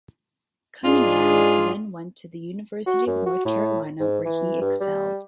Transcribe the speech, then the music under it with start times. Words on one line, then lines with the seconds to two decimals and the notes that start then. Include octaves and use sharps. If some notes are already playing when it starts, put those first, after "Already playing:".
Cunningham then went to the University of North Carolina, where he excelled.
0.85 G#2 G#3 D4 F4 G#4 D5
2.86 F#4
3.07 F#2
3.26 F#4
3.45 A2
4.00 G#2
4.25 E3
4.61 G2
4.80 G3